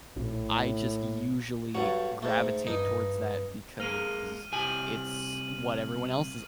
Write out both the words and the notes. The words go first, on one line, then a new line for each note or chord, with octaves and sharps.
I just usually gravitate towards that because it's what everyone else is
A#1 A2
G2 F#3 A4 F#5
G#2 A3
G2 D#4 D#5
G#3 A#3 F6 D#7
C2 G4 G#5 D#7 F#7